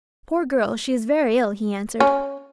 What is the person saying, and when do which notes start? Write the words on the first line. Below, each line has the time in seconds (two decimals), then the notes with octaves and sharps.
"Poor girl, she is very ill," he answered.
2.00 C#4